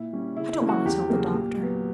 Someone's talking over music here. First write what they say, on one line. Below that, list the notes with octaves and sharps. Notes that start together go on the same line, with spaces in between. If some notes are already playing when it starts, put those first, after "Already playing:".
I don't want to tell the Doctor.
Already playing: A#2 E4
G3 C#4
C#3 E4
E4
E3 A#3 C#4
F#4
E2 G4
C#3 F#3 A#3
A#2
F#3 B3